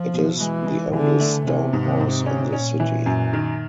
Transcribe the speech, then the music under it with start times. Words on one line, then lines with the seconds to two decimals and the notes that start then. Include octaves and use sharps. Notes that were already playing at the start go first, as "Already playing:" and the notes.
It is the oldest stone house in the city.
Already playing: F3
0.14 B2
0.40 E3 G#3
0.67 G#3
0.93 D3 E3
1.20 A3
1.47 C3 E3
1.73 G#2
2.00 G#2
2.26 C#4
2.53 A#2 C#4
2.80 E3
3.06 F#2
3.33 D#3